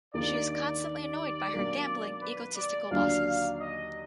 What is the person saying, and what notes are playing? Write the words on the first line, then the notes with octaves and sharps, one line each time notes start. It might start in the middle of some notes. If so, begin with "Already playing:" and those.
She is constantly annoyed by her gambling, egotistical bosses.
D#2 D#3 A#3 D4 D5
D5
B2 F#3 A#3 D4
B4
D5
D#2 D3 F#3 D4 F5
F5
D#5